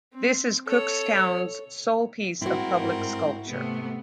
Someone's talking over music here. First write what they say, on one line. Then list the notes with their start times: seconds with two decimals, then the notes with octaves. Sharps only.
This is Cookstown's sole piece of public sculpture.
0.13 C4
0.67 A4 C#5
2.42 G#2 C4 E4 F#4 A#4
3.46 C3 A3 B3